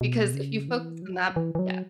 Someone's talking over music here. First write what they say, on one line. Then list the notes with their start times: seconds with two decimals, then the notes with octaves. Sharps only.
Because if you focus on that yeah.
0.01 B2
0.34 C#3
0.69 E3
1.02 F#3
1.36 E3
1.55 E3
1.59 F#3